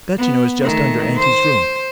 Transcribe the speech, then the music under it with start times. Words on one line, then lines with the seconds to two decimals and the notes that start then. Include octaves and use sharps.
That you know is just under auntie's room.
0.18 B3
0.63 D#3 A3
1.16 C5